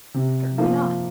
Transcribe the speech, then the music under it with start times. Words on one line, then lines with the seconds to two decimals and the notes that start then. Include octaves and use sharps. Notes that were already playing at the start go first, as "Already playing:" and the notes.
"Certainly not."
0.14 C3
0.58 F3 A#3 F4